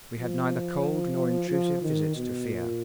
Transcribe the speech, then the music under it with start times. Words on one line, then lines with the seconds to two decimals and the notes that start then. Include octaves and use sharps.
We had neither cold nor intrusive visits to fear.
0.18 F3
1.49 F3
1.82 D#3
2.16 B2
2.49 A#2